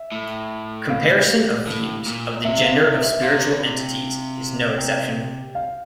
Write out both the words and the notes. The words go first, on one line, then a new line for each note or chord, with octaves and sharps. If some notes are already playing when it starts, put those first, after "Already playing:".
Comparison of views of the gender of spiritual entities is no exception.
Already playing: E5
A2
F5
A2
A#2
C3 E5
F5
E5
E5
C3 F5
G5
F5